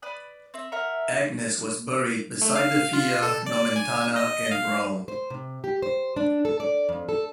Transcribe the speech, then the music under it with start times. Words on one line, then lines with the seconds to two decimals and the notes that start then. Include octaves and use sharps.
Agnes was buried beside the Via Nomentana in Rome.
0.02 B4 D5 B5 D#6
0.54 C4 E5
0.72 A#4 E5 F#5 A#5
2.41 A3
2.56 F5
2.93 F4
3.22 A4
3.46 D5
3.76 G#5
4.16 D#5
4.51 F5
5.08 C5
5.30 C3
5.64 G4
5.82 C5
6.16 D4
6.45 A4
6.60 D5
6.89 F2
7.09 A4